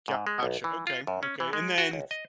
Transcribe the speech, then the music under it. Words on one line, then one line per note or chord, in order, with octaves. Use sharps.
Gotcha, okay, okay, and then
G#2
G#3
B1
E3
F4
F#2
C#4
E3
G#3
F#4
C#2
D#5